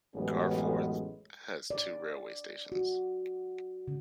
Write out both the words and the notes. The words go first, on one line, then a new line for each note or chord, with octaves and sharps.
Garforth has two railway stations.
A1 F#2 G#3 B3 C#4 G#4
D5
F#4
C#3